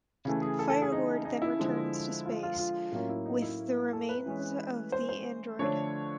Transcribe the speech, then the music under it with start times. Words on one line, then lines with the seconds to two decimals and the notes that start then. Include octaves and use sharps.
Firelord then returns to space with the remains of the android.
0.25 C#3 E3 A3
0.42 G#4
0.59 A4
0.69 A4
0.82 G#4
0.92 D#4
1.25 D#4
1.42 E4
1.60 D3 F3 G#3
2.26 F4
2.43 F4
2.58 F4
2.92 A2 F#3 A#3 C#4 F4
3.09 E4
3.26 D#4
3.42 E4
3.93 A4
4.09 B4
4.26 E3 G#3 C#4
4.92 C5
5.09 C5
5.59 D3 F3 A3 D4 C#5